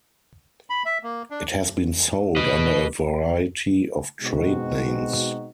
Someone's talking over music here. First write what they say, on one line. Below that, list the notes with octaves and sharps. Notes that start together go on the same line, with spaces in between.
It has been sold under a variety of trade names.
B5
E5
A#3
D4
B4 D#5
B2 G#3 C4 D#4 F#4